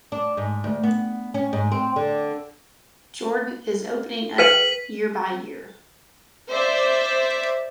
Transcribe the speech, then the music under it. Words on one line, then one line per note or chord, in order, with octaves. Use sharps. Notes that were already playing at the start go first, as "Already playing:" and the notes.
Jordan is opening up year by year.
D4
G#2
D2
B3
C#4
G#2
C4
D3
G#4 B4 G5 B6 D#7 F#7
C5 D5 E5